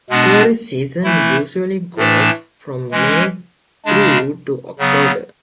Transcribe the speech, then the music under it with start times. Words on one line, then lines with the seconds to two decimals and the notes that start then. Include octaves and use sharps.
Tourist season usually goes from May through to October.
0.10 B2 G#3 B3 D4
1.03 E3 A3 E4
1.97 A2 E3 A3 D4
2.91 E3 G#3 C#4
3.85 C#3 G#3 D4
4.79 C#3 F#3 B3